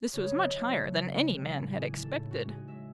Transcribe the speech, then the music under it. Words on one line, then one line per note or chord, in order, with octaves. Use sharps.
This was much higher than any man had expected.
C#3 C#5
F#3 D#5
C#3 E5
F#3 F#4
F#3
F#3
G#3
E3
A2
E3 G#4
E3
A4
A2
G#3 F#4
G#3 G#4
G#3 E5